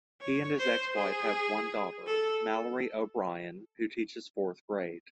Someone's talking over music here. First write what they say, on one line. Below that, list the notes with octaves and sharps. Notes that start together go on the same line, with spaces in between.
He and his ex-wife have one daughter, Mallory O'Brien, who teaches fourth grade.
C#5
C5
G#4
A4